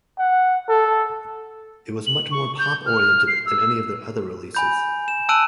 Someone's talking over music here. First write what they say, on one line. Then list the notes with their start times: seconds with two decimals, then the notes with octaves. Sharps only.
It was much more pop-oriented than any of their other releases.
0.19 F#5
0.68 A4
2.07 F#7
2.31 C#6
2.59 G6
2.86 F6
3.28 C7
3.46 E6
4.55 G#5 B5 G6
5.08 E7
5.29 A5 E6 F#6 D7 D#7 F#7